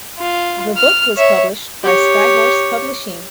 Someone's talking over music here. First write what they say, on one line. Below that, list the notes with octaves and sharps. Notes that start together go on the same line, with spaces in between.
The book was published by Skyhorse Publishing.
F4
F6
C#5 E5
G4 C#5